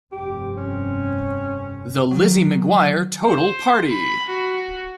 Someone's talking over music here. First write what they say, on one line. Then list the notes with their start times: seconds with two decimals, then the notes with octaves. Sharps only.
The Lizzie McGuire Total Party!
0.12 F1 G2 C4 G4
0.57 C#4
2.11 D#3 F#3
3.26 C5
3.90 B5
4.29 F#4